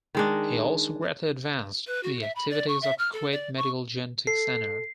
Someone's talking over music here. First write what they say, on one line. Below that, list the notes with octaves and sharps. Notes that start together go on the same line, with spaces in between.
He also greatly advanced the activities of Kuwait Medical Genetic center.
D#3 G#3 D4
B4
F#4
E5
B5
D5
C#6
E5
F6
A4
D5
C#6
A4 C7